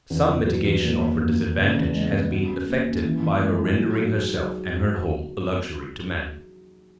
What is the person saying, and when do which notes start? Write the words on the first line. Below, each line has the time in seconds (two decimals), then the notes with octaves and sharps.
Some mitigation of her disadvantage has been effected by her rendering herself and her home a luxury to man.
0.10 E2
0.28 E2
0.46 F#3
0.66 E2
0.84 A#3
1.03 D#3
1.20 A#3
1.39 A#3
1.57 C#3
1.76 E2
1.94 G#3
2.13 B3
2.31 F#4
2.49 C#4
2.67 A#3
2.86 C#4
3.05 E3
3.22 E3
3.41 G#3
3.60 D#4
3.78 F#3
3.97 F#3
4.14 G#4
4.33 F#3